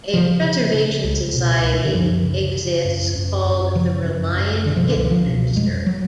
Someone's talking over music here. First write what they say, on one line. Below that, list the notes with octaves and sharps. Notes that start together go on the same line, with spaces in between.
A "Preservation Society" exists called the Reliant Kitten Register.
C#3 F3
C#3
C#3
C#2
B2
C#2
D3
F#2 F3
C#3
C#3
F#2
F#2
F#2
C#3 F3
F#2
F#2
B2 D3
F3
D3
C#2
F3
B2
F2 G#3
F#3